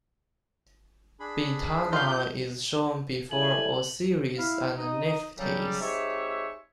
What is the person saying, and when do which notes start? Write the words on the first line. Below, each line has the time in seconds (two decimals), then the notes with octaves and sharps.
Bintanath is shown before Osiris and Nephtys.
1.20 D4 G#4 B5
1.93 F4 F5 G6
3.31 G3 E4 A4 G#5 F#7
4.38 E4 F5
4.77 D#4 D#5
5.39 C#3 F#3 G3
5.80 G#3 C4 D#4 G4 C#5 E5